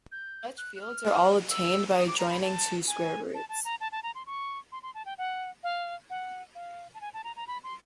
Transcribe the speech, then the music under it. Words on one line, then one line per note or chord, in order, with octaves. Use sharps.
Such fields are all obtained by adjoining two square roots.
G6
F#6
F#6
F6
E6
D#6
D6
A#5
B5
A5
G#5
A5
A5
A#5
A5
A5
A#5
C6
C#6
C6
C6
A5
G5
F#5
F5
F#5
F5
A5
G#5
A5
A#5
A#5
B5
C6